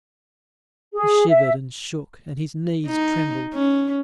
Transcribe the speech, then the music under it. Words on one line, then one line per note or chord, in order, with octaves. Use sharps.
He shivered and shook, and his knees trembled.
G#4
E5
D#4
C#4